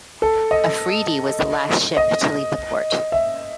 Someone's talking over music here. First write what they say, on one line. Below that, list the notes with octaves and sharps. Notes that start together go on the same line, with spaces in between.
"Afridi" was the last ship to leave the port.
A4
D#5
D#5
E5